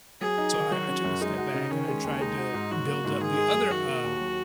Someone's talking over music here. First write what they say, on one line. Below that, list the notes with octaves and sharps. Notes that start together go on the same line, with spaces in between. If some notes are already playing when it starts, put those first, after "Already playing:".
So I I took a step back and I tried to build up the other, uh,
F#3 G#4
D#4
D#3
F#3 F#4
C#4
F#2
G#3 D#4
F#4
C#3
D#3 C#4
G#3
D#2
G#3 D#4
F#4
G#2
F#3 F#4
A#3
G#2
D#3 G#4
G#3
F#2
D#3 F#4
A#3
D#2
F#3